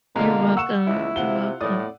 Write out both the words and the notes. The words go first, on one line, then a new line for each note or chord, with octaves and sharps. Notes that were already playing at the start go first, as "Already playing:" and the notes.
You're welcome. You're welcome.
B2 D3 G#3 A#3 F4 A#4
F#5 C#6 E6 E7
C#2 E4
C3 F4 F#5 G7
A2 D5 D#6